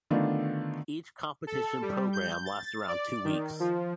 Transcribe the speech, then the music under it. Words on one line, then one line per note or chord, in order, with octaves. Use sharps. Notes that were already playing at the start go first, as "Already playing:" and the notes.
Each competition programme lasts around two weeks.
D3 D#3 A3 B3 D4 F4
A4
G3
G6
A6
D5
D#3
F3